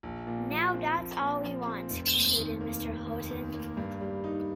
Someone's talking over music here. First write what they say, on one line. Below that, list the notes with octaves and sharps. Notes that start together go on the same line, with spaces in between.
"Now that's all we want," concluded Mr. Houghton.
A#1
A#2
F3
C4
A#1
A#2
F3
C4
F1
D#2
D#3
A#3
F1
D#2
D#3
A#3
G2
G3
D#4